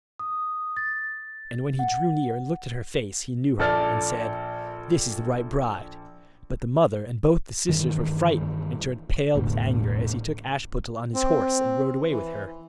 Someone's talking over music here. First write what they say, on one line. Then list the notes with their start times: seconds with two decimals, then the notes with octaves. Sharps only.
And when he drew near and looked at her face he knew her, and said, 'This is the right bride.' But the mother and both the sisters were frightened, and turned pale with anger as he took Ashputtel on his horse, and rode away with her.
0.19 D#6
0.77 A6
1.79 F#5
3.59 A#1 A4 D5 F6 A6
7.69 G2 D#3 E3
9.35 E1 A1 A2 D3
11.14 C4
12.11 E3